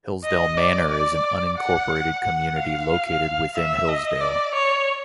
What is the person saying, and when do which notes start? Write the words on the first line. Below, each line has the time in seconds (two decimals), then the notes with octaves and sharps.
Hillsdale Manor is an unincorporated community located within Hillsdale.
0.24 D#5
0.57 D5
0.91 D5
1.57 F#5
2.23 F#5
2.56 F5
3.55 E5
3.88 D#5
4.21 D5
4.55 C#5